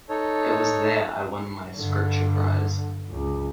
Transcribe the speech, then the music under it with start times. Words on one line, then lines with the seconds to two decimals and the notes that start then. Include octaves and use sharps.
It was there I won my Scripture prize.
0.09 D#4 A4 C#5
1.74 G2 D3
3.10 C#2